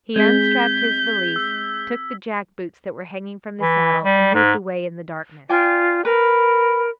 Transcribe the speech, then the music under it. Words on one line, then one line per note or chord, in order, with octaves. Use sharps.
He unstrapped his valise, took the jack-boots that were hanging from the saddle, and moved away in the darkness.
G#3 C4 G#4 G6 G#6 B6
E6
E3
G3
G#2
F4 D5 G5 G#5
A#4 B4